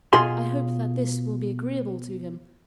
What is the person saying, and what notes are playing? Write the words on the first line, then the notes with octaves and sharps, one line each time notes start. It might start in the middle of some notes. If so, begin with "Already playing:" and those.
I hope that this will be agreeable to him.
B2 F4 G#4 G#5 C6